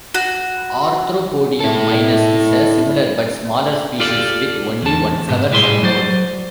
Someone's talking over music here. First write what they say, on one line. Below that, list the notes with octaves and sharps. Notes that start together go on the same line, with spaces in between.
"Arthropodium minus" is a similar but smaller species with only one flower per node.
F#4
E4 A4
F4 G4 A4 D5
E2 A5
G#2 C3
A2 G3 E4 G#4 C6
F#3 C5 D5